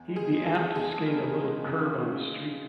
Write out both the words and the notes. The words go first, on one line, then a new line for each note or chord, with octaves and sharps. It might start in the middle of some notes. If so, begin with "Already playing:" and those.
He'd be amped to skate a little curb on the street.
Already playing: E2
G#3
G#4
G#3
A4
F3
E2 G#4
G#3
A#4
E2
G#3
C#3